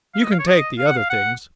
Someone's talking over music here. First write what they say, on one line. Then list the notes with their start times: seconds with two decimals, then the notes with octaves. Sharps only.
"You can take the other things."
0.14 F5
0.24 D#5
0.31 F5
0.39 C#5
0.47 D#5
0.79 F5
0.87 F#5
0.97 F5
1.10 F#5